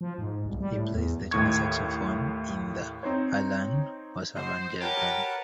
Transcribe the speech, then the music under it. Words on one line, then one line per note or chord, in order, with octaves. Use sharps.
He plays the tenor saxophone in the Alan Wasserman Jazz Band.
F3
G#2
C2
G3
A2
E2
D#2 A2 C#6 G#6
C4 D#4 C5 C#5
C5 D#5 F#5 C6
G4 A#4 B4 C#5 F#5 A5